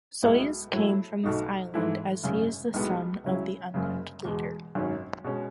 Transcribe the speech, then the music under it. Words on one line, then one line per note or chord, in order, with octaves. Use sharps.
Soyuz came from this island as he is the son of the unnamed leader.
B1 A2 G#3 B3 E4
A2 F#3 A3 E4
B1 B2 A3 D#4
G#2 E3 A3 E4
G#1 F#2 C#3
B1 A2 G#3 B3 F#4
C#2 C#3 F#3 C#4 E4
F#1 F#2 C#3
E2 B2 G#3
G#1 F#2 D#3 F#3 C#4
B2 G#3 C#4